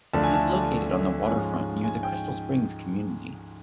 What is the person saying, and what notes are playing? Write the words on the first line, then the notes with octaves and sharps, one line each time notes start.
It is located on the waterfront near the Crystal Springs community.
D2 D3 F3 A3 D4 A5
G#5
A5
G#2 F3 G#3 C#4 G#5
G#5
G5